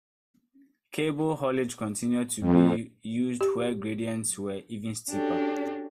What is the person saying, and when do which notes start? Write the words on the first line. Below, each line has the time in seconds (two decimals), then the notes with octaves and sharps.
Cable haulage continued to be used where gradients were even steeper.
2.41 F2
3.41 G4
5.10 C#4 D4 F#4 G4 A4